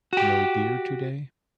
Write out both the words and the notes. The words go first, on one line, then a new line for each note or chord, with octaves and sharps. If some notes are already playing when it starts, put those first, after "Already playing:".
No beer today?
F#4 G4